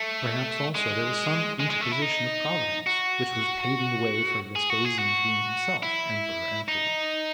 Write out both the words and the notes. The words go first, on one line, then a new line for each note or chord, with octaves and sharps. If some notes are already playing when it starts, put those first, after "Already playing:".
Perhaps also there was some interposition of Providence, which was paving the way for Vespasian's being himself emperor afterwards.
Already playing: A3
G#3
G#3
G#3
A3
E4
D#4
F#4
G#4
F#4
G#4
F#4
E4
D#4